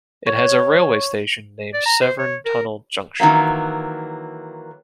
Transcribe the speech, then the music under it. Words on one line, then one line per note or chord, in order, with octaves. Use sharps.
It has a railway station named Severn Tunnel Junction.
C#5
D5
A#5
C5
C#5
A#4
D#3 E3 F#3 A#3